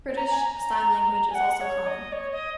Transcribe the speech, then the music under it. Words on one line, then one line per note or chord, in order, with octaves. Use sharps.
British Sign Language is also common.
A#5
G#5
A#5
G#5
F#5
C#5
D#5
C#5
D#5